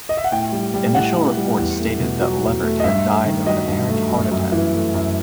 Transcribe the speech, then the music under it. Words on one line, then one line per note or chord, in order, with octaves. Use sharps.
Initial reports stated that Levert had died of an apparent heart attack.
D#5
E5
F#5
A2 G5
G3
G3
A2 F#5
A2
G3
E2
A3
B2
F#3
E2
A3
D#5
G2 E5
A3
D#3
F#3 D#5
G2
A3
F#2
F#2
E3
A3
F#2